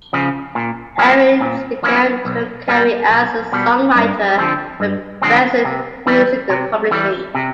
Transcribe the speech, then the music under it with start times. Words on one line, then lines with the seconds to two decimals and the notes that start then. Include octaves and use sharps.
Arends began her career as a songwriter at Benson Music Publishing.
0.13 C#3 F3
0.55 A#2
0.98 F3 A#3 C#4 E4
1.41 A#2
1.83 F3 A#3 C#4 E4
2.25 B1
2.68 B2 G3
3.10 B1
3.52 B2 G3
3.95 G2
4.37 D3 F3 G#3 C4
4.80 G2
5.22 D3 F3 G#3 C4
5.65 C3
6.07 E3 G3
6.49 C3
6.91 E3 G3
7.35 C3